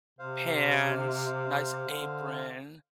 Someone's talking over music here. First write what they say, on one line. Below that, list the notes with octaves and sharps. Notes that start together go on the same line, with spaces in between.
pans, nice apron.
C3 C5 F5
D3